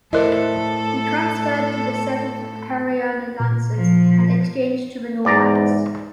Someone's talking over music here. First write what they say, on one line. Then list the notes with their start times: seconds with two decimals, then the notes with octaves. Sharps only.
He transferred to the Seventh Hariana Lancers, and exchanged to the Northants.
0.13 A2 E4 A4 A#4 C5 D5 D#5
3.40 A#2
3.75 F3
5.25 E2 G#2 D5 A#5